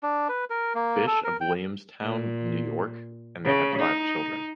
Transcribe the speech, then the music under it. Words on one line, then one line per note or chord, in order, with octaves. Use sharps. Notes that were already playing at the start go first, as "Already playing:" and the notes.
Fish of Williamstown, New York, and they had five children.
D4
B4
A#4
A#3
A4
A#4
G5
A#2
C#3
D#4